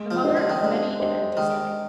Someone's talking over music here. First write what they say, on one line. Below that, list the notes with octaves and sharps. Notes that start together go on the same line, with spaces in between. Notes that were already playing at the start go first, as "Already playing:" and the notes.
The mother of many an empty stomach.
Already playing: G#3
F3
D4 G4 C5 D#5
D3
D#3
D3 G#3
D4 G4 C5 D#5
D#3 G#3